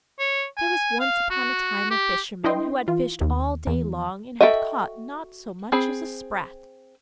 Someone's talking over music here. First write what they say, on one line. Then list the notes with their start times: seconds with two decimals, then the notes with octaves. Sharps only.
There was once upon a time a fisherman who had fished all day long and had caught not so much as a sprat.
0.19 C#5
0.57 G#5
1.00 F5
1.30 F#4
1.90 G4
2.44 D4 E4 B4 D#5 G5 C6
2.88 E3 F4
3.21 D#2
3.67 E2
4.41 F#4 A4 D#5 E5 G5
5.72 C4 G#4 B5